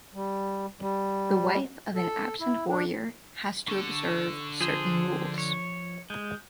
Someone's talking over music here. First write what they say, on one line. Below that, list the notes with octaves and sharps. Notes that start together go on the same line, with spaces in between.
The wife of an absent warrior has to observe certain rules.
G3
G3
A4
E4
D4
D3 A4 C#6
F3 G#4 C5
C#5
G#3 G6